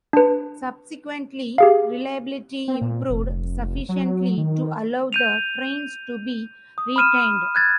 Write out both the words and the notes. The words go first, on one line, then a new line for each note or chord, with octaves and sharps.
Subsequently, reliability improved sufficiently to allow the trains to be retained.
D4 B4
G4 G#4 F5
C4
A#2
F1
F#3
D#3
G6 D#7 F7
D#6
B5 D#6 F6 D#7 E7
F#6 G#6 A6